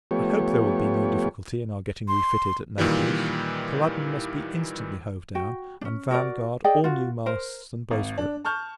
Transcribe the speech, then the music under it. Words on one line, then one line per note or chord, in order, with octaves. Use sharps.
I hope there will be no difficulty in our getting refitted at Naples. Culloden must be instantly hove down, and Vanguard all new masts and bowsprit.
F3 A3 B3 G4 C#5
C6
A#2 D#3 E3 G3
F#4 G5
C#4 D4
F#4 A#4 D5
G#4 D5 D#5 G5
F4 F#4
A#4 C5
G#1
D4
A5 C#6 F6 G6